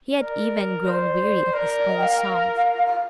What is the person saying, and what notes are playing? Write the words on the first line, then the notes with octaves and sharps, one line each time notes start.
He had even grown weary of his own songs.
A#4 D5
C5
A#4 D5
D5
D#5
G5
F5
F5